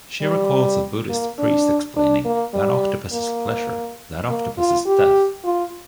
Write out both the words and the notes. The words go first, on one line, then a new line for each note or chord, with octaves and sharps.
She recalls a Buddhist priest explaining: That octopus is Pleasure... That octopus is Death!
G3
A#3
D4
D4
A#3
G3
A#3
A#3
F4
G4
F4